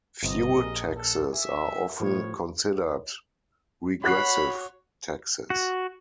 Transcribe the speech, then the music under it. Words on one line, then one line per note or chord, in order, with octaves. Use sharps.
Fuel taxes are often considered regressive taxes.
G1 C3 D#5
A#1 G#4 A#4
A4
E5 G#5
A2 F3 C#5
F#4 C#5 B5 F#6 C7
F#4